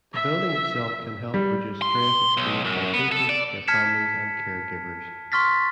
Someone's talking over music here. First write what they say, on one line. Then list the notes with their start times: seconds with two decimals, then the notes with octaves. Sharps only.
The building itself can help reduce stress experienced by patients, their families and caregivers.
0.14 E5
1.34 G3
1.82 C6
2.37 B1
2.65 F#2
2.93 B3
3.12 A4
3.29 D5
3.67 A5 F6 G#6 B6 C#7 E7
5.32 C6 C#6 F6 A6 B6